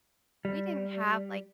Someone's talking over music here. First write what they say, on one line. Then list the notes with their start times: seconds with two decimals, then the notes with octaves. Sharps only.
we didn't have, like,
0.45 G3